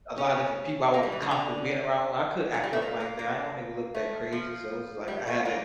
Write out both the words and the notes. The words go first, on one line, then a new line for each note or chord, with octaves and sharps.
a lot of different people I wasn't comfortable being around with, I couldn't act up like that, I didn't wanna go look that crazy, so, it was just like, I had to
C#4
A#3
G3
E3
C#3
D3
E3
G3
A3
A#3
A#3
A#3
A3
F3
G3
A3
A#3